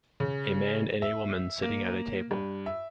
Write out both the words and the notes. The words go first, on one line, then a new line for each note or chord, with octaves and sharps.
A man and a woman sitting at a table.
C#3
E5
A#3
G2
E5